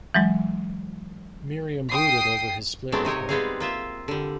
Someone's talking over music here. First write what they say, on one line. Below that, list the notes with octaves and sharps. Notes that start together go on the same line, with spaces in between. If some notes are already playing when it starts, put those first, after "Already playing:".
Miriam brooded over his split with her.
E3 F#3 G#3
G5 D#6 C7
F#3 G#3 A3 B3 C4 D4
C3 D#4 A#4 C#5
G3 G#3 B3 C4 G#4 F5
A#3 F4 E5
D3 G3